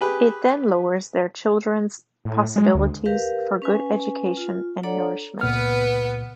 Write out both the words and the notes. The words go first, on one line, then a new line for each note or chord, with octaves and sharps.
It then lowers their children's possibilities for good education and nourishment.
G4 G#4 B4
A2
G#3
D2
G4 A#4 B4 F5
C#4 B4 G#5
F4
D4 A4 C#5 D5 F#5 A#5
C#2 A#2 B3 B4 F6